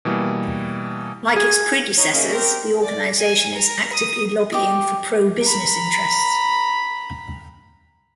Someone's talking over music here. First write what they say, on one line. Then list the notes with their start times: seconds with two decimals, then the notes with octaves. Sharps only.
Like its predecessors, the organisation is actively lobbying for pro-business interests.
0.05 B2 E3 G3 A#3
1.36 G#4
1.98 D#4 C#5
2.14 C#3 A3 A#3 C#4 D#5
2.33 C4 G4 A#4
2.83 D5
3.20 G#5
3.55 A#4
3.93 D#6
4.52 G4 D#5
5.44 A#5 B5